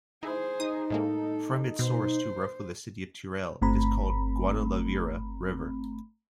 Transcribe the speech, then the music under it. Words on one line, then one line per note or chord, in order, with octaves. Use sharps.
From its source to roughly the city of Teruel, it is called "Guadalaviar" river.
D#4 E4 G#4 C5
D#4 D#6
A2 G#3 A#3 A4
B2 C5
G1 A3 C4 A#5 B5